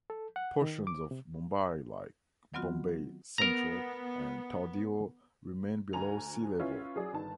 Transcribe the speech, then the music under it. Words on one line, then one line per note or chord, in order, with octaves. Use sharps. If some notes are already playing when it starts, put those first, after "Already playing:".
Portions of Mumbai like Bombay Central and Tardeo remain below sea level.
A4
F#5
D#3
D6
C3
D#3 F#3 B3 C4 F4 F#4
B3 A#4 A#5
D2 G#5 A#5 F7
C#4 E4 F4 B4
F#3 G#4 D5
G1 D#3 A5